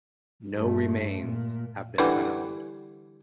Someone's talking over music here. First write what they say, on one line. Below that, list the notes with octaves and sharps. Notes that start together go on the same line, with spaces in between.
No remains have been found.
G2 A3
A#2
D3 E3 G3